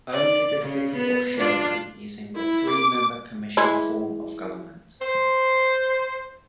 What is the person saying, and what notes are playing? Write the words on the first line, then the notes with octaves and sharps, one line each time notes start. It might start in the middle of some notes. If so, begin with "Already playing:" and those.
Only the city of Shelton using the three-member commission form of government.
D5
C#3
B3
D4 F4 D5
E4
D6
E3 G#3 E4
C5